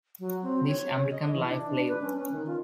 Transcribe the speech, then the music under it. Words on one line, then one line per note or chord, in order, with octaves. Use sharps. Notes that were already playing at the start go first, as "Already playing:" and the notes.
This American Life Live!
F#3
C4
C#5
C#3
D#5
E3
D4
B4
C#4
C#4
D#3
F4